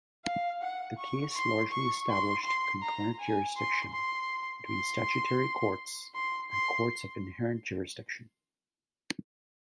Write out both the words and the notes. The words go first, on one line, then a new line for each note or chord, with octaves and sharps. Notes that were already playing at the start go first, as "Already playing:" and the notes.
The case largely established concurrent jurisdiction between statutory courts and courts of inherent jurisdiction.
F5
F#5
C#6
C6
C#6
C6
C6
A#5
G#5
C6
C6
C6
C6
C6